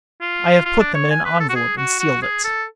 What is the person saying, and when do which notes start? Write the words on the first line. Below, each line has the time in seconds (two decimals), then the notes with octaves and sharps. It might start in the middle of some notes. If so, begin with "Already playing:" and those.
I have put them in an envelope, and sealed it.
0.21 F4
0.65 F4
0.80 D4
0.95 C#5
1.11 G#5
1.25 B4
1.40 A4
1.50 F#4
1.55 G#4
1.78 F#4
2.00 F#4
2.22 G#4
2.44 A4